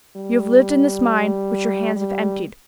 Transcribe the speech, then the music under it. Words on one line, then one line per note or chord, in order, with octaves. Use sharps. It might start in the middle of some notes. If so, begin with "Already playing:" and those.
You have lived in this mine, which your hands have emptied.
G3
G3